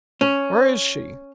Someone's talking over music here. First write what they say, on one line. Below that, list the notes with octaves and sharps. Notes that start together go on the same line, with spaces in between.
"Where is she?"
C#4